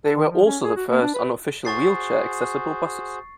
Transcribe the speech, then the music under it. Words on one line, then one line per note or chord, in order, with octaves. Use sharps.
They were also the first unofficial wheelchair-accessible buses.
A4
D#3
F3
C#4
G#4
F#4
A#3
D4
B4
F#4 G#4 C5 C#6 A6 C7